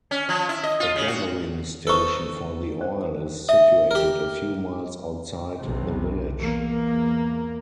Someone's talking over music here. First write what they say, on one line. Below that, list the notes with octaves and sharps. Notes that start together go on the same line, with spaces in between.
A gathering station for the oil is situated a few miles outside the village.
C#4
F3
E4
D#5
F4
C#3
F#4
D#4 A4 B4 C5 C#6
C5
D#5 E5
G4 A#4
B1 C3
E2 A#3